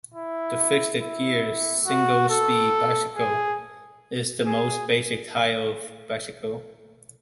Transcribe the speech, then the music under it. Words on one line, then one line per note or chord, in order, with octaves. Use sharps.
The fixed-gear single-speed bicycle is the most basic type of bicycle.
E4
E4
F#4
A4
G#4
G#4